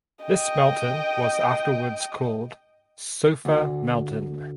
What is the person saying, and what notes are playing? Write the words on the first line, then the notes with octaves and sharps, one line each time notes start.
This mountain was afterwards called Sofa Mountain.
D#5 G5
D2